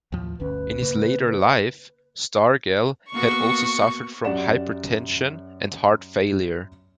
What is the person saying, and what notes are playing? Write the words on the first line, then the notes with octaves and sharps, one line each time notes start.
In his later life, Stargell had also suffered from hypertension and heart failure.
D#2 A2 F3
G1 D2 C#4 B4
C#3 A#3
A#3 B3 F#4 C#6
F#2 G4 D5 F#5 E7